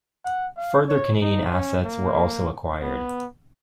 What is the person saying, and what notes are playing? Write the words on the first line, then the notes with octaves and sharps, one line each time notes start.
Further Canadian assets were also acquired.
F#5
F5
C#5
D#4
C#4
A#3
B3